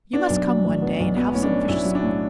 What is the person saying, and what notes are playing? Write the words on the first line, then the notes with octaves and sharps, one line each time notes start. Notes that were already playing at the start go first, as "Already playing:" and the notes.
You must come one day and have some fish soup.
B3 D4
B1
F#3
A2
B3
B1
F#3 B3
A2 C#4
D4
B3
B1 E4
F#3
D4
A2